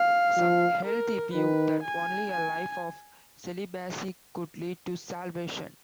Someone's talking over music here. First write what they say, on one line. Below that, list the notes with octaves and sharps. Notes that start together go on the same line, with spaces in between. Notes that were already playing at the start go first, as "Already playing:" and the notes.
Some held the view that only a life of celibacy could lead to salvation.
Already playing: F5
F3
A#4
D#3 B4
G#5
G#5